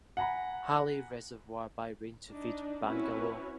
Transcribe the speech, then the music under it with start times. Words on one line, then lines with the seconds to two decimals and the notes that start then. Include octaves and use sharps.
Halli reservoir by rain to feed Bangalore.
0.17 F#5 G#5 A#5 B5
2.30 D4 D#4
2.85 C4 C#4 E4 F#4 B4 C#5